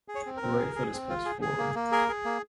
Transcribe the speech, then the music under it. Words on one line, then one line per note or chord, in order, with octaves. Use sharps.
The right foot is placed forward.
G#4
C#5
C4
A#4
C4
G#4
G#4
C4
F4
G#4
G#4
A#3
A#3
G#4 A#4
G#4
A#3